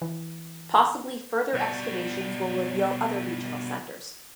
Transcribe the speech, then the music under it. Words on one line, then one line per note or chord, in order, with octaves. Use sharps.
Possibly further excavations will reveal other regional centres.
E3
B2 G3